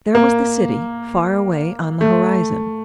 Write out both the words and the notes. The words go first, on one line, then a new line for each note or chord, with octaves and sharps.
There was the city far away on the horizon.
A#3
A3